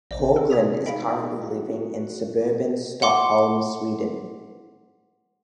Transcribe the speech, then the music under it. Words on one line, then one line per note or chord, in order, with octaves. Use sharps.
Haugland is currently living in suburban Stockholm, Sweden.
A1 C3 C5 D5 D#5
A4
G#4 D#6 G#6 B6 F7
D#4 D#5 F5 G5 B5 B6
F#4
F#5 C6 D6